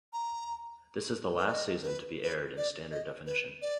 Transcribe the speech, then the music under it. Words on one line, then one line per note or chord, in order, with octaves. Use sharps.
This is the last season to be aired in standard definition.
A#5
B4
D5
D#5
A#4
B4
B4
D5
D#5
B4
D5